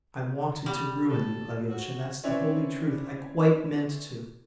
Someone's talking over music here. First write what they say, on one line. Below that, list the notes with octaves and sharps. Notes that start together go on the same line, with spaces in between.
I wanted to ruin you, Alyosha, that's the holy truth; I quite meant to.
G3
A4
F#4
C4 C#4 E4 B4 C#5 D5